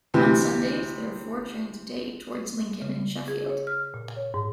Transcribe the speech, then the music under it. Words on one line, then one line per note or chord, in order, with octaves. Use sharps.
On Sundays there are four trains a day towards Lincoln and Sheffield.
D2 C3 E3
C#3
G#4
C#5
F6
A#2
C#5
G#2